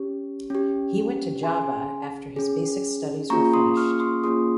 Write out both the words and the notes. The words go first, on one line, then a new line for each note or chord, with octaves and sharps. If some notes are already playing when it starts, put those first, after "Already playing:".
He went to Java after his basic studies were finished.
Already playing: C#4 G4
C#4 G4
C#4 G#4 G#5 C6
C#4 G#4
A#3 C#4 F4 G#4 A#5 C#6
C6 D#6
C#6 F6
C#6
C6 D#6
A#3 C#4 F4 G#4 C6 D#6